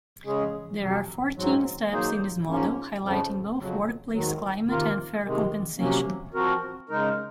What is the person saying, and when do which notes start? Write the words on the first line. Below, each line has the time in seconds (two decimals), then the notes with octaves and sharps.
There are fourteen steps in this model, highlighting both workplace climate and fair compensation.
0.25 C#3 G#3 C#4 G#4
0.80 F2 C3 F#3
1.35 G#2 F#3 C4
1.91 F#3 A#3 D#4 G#4 C5
2.46 G#2 F3 A#3 C#4
3.01 F2 C#3 F3
3.57 F2 C#3 F#3
4.12 G#2 D#3 F#3
4.68 C3 D#3 A#3 F4 A#4
5.23 C3 D#3 G#3
5.78 C3 F#3 A#3 C#4
6.34 F3 C4 F#4 A#4
6.89 C#3 G#3 D#4 A#4